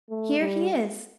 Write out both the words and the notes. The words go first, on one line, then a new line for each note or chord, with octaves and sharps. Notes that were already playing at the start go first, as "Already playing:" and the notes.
Here he is.
A3
G3